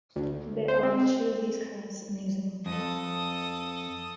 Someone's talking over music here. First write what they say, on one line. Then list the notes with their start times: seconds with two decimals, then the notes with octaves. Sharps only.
There are two of these cars in New Zealand.
0.16 D2
0.68 C5
0.83 C4
2.66 F2 A4 D#6